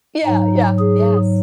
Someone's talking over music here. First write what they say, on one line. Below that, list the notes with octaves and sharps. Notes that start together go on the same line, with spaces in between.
Yeah, yeah, yes.
G#2 F#3 D#4
G#4